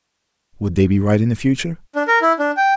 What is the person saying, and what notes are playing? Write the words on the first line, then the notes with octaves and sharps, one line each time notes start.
Would they be right in the future?
D4
A#4
E4
D4
G5